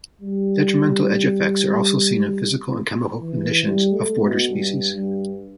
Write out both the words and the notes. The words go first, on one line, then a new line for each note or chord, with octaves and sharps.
Detrimental edge effects are also seen in physical and chemical conditions of border species.
G3
E3
G3
A3
B2
G2
G2